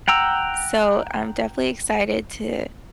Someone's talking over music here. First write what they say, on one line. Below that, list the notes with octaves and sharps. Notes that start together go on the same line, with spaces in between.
So I'm definitely excited to
F#5 G5 A#5 E6